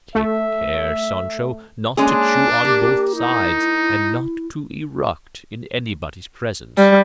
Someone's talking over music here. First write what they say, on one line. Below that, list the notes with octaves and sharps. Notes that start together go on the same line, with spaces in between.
"Take care, Sancho, not to chew on both sides, and not to eruct in anybody's presence."
A3 E5
G#3 A#3 C#4 D4 G#4
A#3 G4
D#4 E4
G3